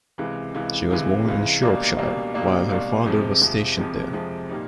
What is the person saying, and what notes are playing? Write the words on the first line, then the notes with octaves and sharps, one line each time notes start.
She was born in Shropshire while her father was stationed there.
C#2 C3 E3 G#3
C#2 C3 E3 G#3
C#2 C3 E3 G#3
C#2 C3 E3 G#3
C#2 B2 G3 A#3 D4
C#2 B2 G3 A#3 D4
C#2 B2 G3 A#3 D4
C#2 B2 G3 A#3 D4
F2 C3 F3 G#3
F2 C3 F3 G#3
F2 C3 F3 G#3
F2 C3 F3 G#3
A#2 G3 A#3 D#4